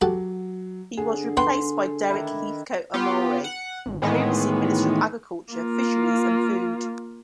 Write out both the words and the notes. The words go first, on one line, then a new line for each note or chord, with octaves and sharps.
He was replaced by Derick Heathcoat Amory, previously Minister of Agriculture, Fisheries and Food.
F#3 F#4 G4 A4
D3 G#4
B3 B4 G5 C6
D#3 D4 E4
B3 F4 G4
F#5
G#1
A2 D#3 E3 G#3 B3
A#3 F4